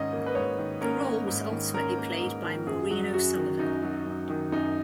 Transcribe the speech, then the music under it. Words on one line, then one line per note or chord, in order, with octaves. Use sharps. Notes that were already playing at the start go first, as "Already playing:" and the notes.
The role was ultimately played by Maureen O'Sullivan.
Already playing: G#2 D#3 C#4 D#5
A#3
B4
G#2 C#5
D#3
C#4 A#4
A#3
G#2
D#3
C#4 A#4
A#3
G#2
D#3
F#2 G#4
F#3
F#2 F#4
D#3
F#2 D#4
F#3
F#2
D#3
F#2 D#4